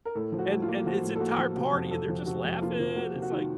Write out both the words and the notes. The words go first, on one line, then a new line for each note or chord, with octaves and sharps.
And and his entire party, and they're just laughing, it's, like,
A#4
A2 A4
F3
F#4
A2
F4
A#3
F3 F#4
A2
A4
A#3 F#4
F3
C3 F#4
F2
F2 A4
F3
C3 F#4
F2
A#3 F4
F3
A#3 F#4
C3
F#4
D#3 F4